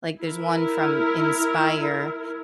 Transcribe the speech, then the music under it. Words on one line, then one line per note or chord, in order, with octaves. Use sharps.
like, there's one from Inspire
E4 A#4